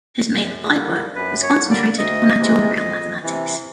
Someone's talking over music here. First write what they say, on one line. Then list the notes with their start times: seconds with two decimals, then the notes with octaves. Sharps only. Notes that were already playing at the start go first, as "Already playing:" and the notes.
His main applied work was concentrated on actuarial mathematics.
0.32 F#2
0.74 D3 G3 A#3
1.15 F#2 B4
1.43 C#5
1.56 D3 G3 A#3
1.70 D5
1.98 D2 D#5
2.39 C3 E3 G#3
2.80 F2
3.22 C3 E3